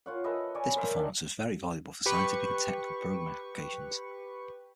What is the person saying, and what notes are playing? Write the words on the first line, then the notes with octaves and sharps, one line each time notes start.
This performance was very valuable for scientific and technical programming applications.
F4 C#5 F#5
A4 B4 D#5 E5
C#5 D5 G#5
A#4 C5 E5 A#5
D#3 D4
G4 B4 C#6